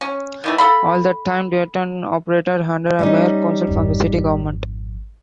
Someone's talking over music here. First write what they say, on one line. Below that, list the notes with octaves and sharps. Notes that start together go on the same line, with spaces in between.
At that time Dayton operated under a mayor-council form of city government.
C#4
D#3 E3 A3
A4 F5 B5
G3 C#4 D#4
G#1 F2